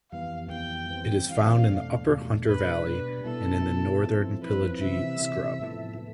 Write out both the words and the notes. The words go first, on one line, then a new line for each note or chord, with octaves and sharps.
It is found in the upper Hunter Valley and in the northern Pilliga scrub.
F2 E3 G3 B3 F5
F2 E3 G3 B3 G5
E3 G3 C4
E3 G3 C4 F5
E2 B2 A3 D4
E2 B2 A3 D4
B2 G3 D4 B4
B2 G3 D4
B2 B3 E4 A4
B2 B3 E4
F3 C4 E4
F3 C4 E4 B4
C3 E3 G3 C4 E5
C3 E3 G3 C4
A2 F3 B3 E4 A4
A2